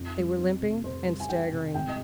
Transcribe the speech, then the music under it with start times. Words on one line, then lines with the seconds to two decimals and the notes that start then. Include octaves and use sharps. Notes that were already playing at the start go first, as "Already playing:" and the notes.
They were limping and staggering.
Already playing: F2
0.16 G3
0.38 C4
0.61 C3
0.84 F2 C5
1.06 G3
1.20 G#5
1.29 C4 G5
1.52 C3
1.74 G#1 G5
1.88 D#5